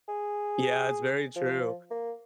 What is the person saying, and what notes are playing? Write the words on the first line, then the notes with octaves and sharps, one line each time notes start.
Yeah, it's very true.
G#4
F3
A#3